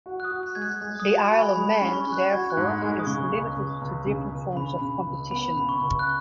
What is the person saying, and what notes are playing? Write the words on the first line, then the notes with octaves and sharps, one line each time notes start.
The Isle of Man therefore is limited to different forms of competition.
F#4
F#6
D#6
F#4
F#6
G#3 G#6
F#6
G#3
D#6
F#4
B5
F#4
G#5
G#3 B5
C#4
C#6
C#4
F#6
F#4 G#6
F#6
G#2
F#6
G#3
D#6
C#3 C#6
C#2
C#2
C#2
C#3
C#2
C#3 B5
C#3
C#2
B3 B5
C#3 B5
C#6
C#2
F#6